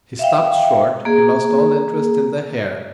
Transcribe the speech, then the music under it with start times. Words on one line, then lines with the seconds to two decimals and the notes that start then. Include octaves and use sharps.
He stopped short. He lost all interest in the hare.
0.19 E5 F5 G5
1.05 A#3 G#4